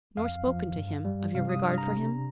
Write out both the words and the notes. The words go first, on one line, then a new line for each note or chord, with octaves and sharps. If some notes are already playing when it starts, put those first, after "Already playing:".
"Nor spoken to him--of your regard for him?"
F2 F5
F3
G2
G3
C3 F5
D#6
D4 F6
A#5
C3